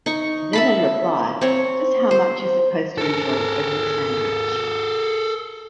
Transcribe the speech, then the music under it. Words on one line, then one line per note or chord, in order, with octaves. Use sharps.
Zevon replied, Just how much you're supposed to enjoy every sandwich.
D#4 C#6
E5 A5 B5
C4 C#5
C5
A4 A#4